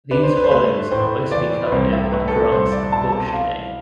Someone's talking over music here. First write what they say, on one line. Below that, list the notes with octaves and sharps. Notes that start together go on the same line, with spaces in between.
These hollows are mostly covered over by grass and bush today.
D4 B4
C5
B4
C5
A3 B4
A2 C5
E3 D5
B4
C2 C5
E5
A3 B4
A4
B4
C2 C5
D5
B2 A5
A5
E4 F5